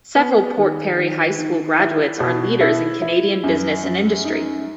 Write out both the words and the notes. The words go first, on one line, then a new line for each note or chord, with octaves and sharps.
Several Port Perry High School Graduates are leaders in Canadian business and industry.
B3
D#3
D#3
D#3
E4
B2
E4
E4
F#2
F#2
D#4